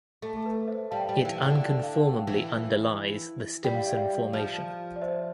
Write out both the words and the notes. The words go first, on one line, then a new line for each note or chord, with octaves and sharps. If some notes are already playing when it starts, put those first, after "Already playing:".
It unconformably underlies the Stimson formation.
A3 A4
A4
B4
C5 E5
G3 F5 A5
G3 E5 G5
E3
E5 G5
D3
A5
E5 G5
F5 A5
A5
E5 G5
E3
G3 G5
F5
E5
D5 F5
F3
D5
C5 E5